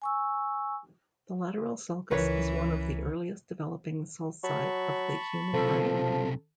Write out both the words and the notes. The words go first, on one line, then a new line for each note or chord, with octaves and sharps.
The lateral sulcus is one of the earliest-developing sulci of the human brain.
G#5 C#6 E6
C#2 C#3 E3 A#4 B4 C#5
F#3 A5 B5 C#6
B1 C3 F3 A4